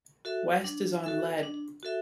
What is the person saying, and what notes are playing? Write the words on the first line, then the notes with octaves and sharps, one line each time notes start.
West is on lead.
F#4 A4 E5
D4
F#4 A4 E5
D4
F#4 A4 E5